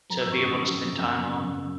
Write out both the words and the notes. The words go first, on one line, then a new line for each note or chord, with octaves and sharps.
to be able to spend time on.
F#3 A#5
F#2 E6
C#6
C#3 D#6
C#3 D#6
F#3
F#3
F#2 E6
C#3
C#3
F#2